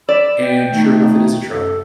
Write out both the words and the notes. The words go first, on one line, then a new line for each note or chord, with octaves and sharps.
and sure enough, it is a trail.
D5 B5 D6 E6
G5
D#3 A3
F#2 C3 A4